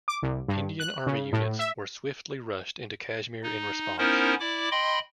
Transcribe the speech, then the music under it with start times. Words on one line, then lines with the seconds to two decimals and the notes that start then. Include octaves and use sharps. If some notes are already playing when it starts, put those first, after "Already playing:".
Indian army units were swiftly rushed into Kashmir in response.
0.08 D6
0.23 C2
0.48 G2
0.80 F#6
1.07 C#3
1.33 A2
1.59 E5
3.43 D#4
3.98 B3 C#4 D#4 E4 A#4 C5
4.40 E4 D5 D6
4.71 D#5 G5 B5 C6